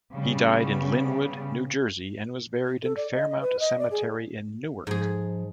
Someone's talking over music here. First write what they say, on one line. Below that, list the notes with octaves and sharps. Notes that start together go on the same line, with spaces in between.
He died in Linwood, New Jersey, and was buried in Fairmount Cemetery, in Newark.
C#3 G3 B3
A4
D5
D#5
D#5
B4
D#5
D5
G#4
G#2 F3 G#4